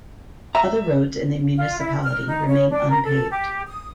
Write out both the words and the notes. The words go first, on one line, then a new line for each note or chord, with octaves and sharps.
Other roads in the municipality remain unpaved.
E5 A#5
F4
E4
F6
D#4
C#5
D4
A#4
A4
G4
D#6